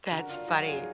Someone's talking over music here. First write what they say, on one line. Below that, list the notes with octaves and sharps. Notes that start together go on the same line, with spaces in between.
That's funny.
D3 F#4 A#4
D4 F4
F#3 D#4 F#4
F4 G#4